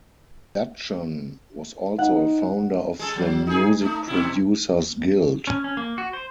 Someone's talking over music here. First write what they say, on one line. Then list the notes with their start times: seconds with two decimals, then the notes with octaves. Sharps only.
Dudgeon was also a founder of the Music Producers Guild.
1.99 D#4 F#5
2.99 G#3 A4
3.16 F#3
3.47 D#4 G#4
3.81 A3 D#4
4.07 B2 E4
5.47 C#4
5.64 C#4
5.77 A#3
5.98 F#4
6.13 C5